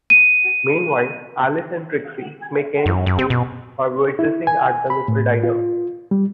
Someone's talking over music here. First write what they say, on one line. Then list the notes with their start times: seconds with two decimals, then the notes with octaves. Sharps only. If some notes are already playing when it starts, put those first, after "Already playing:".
Meanwhile, Alice and Trixie make ends meet by waitressing at the local diner.
0.10 D#7
2.86 F#2
3.06 F#2
3.19 C4
3.30 B2
4.19 E4
4.47 G#5
4.90 B5
5.08 A2
5.43 F4
6.11 G3